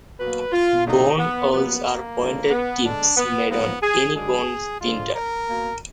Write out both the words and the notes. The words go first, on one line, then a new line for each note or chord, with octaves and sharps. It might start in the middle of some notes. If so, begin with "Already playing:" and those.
Bone awls are pointed tips made on any bone splinter.
B2 F#3 A#3 B4
F4
D3 F#3 A#3 D#4
B3
F#2 F3 A#3 B3
A#3
D3 F3 G#3
B3
D3 G#3 D4
B3
G#2 F3 A#3 B3
G#4
F#2 D3 G#3 G#4
D3 F3 G#3 F4
A#4
B2 A#3